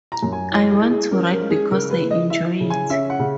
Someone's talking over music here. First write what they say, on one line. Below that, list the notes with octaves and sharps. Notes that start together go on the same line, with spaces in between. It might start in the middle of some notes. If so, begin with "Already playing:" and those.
I want to write because I enjoy it.
A#5
F#2
G#5
E4 C#5
G#4
E4
G#4
C#4 A#4
A#4
G#3
G#4
C#3 A#4
B4
E4
D#5
E4 E5
C#3
G#5
C#4 E5
F#5
C#3